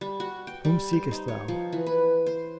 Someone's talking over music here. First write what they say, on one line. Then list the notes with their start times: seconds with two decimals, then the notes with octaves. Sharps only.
"Whom seekest thou?"
0.01 G3
0.20 F#4
0.47 G5
0.65 G3
0.93 C5
1.11 D#4
1.28 C#5
1.48 F3
1.73 E3
1.86 B4
2.26 C5